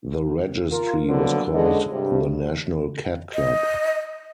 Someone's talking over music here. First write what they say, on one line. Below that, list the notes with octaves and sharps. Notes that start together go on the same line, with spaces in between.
The registry was called the National Cat Club.
F4 A#4
D3 F3 F#3 A#3 B3
C#2 D3 G#3 A4 D#5
G2 C3
D#5